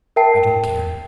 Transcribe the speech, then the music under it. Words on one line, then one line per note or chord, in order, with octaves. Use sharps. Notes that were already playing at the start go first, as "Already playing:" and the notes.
I don't care.
A#4 E5 G5 A5 C7